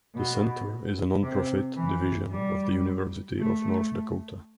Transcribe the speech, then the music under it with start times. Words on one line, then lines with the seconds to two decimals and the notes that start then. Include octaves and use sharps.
The center is a nonprofit division of the University of North Dakota.
0.15 B2
1.23 C3
1.76 E3
2.31 G3
3.39 A3